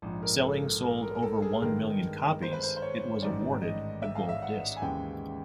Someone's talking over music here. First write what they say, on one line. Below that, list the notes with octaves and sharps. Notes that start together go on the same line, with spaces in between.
Selling sold over one million copies, it was awarded a gold disc.
A#1 G#2 F3
A#4
A4
A#4
A#4
A#4
A4
G#4
G2 D#3 G#3 B3 A#4
C5
B4
C5
C5
C#5
A1 G#2 D#3 D5
D#5
E5
F5
E5
F#5
G#5
D#2 C#3 E3 G#3 G5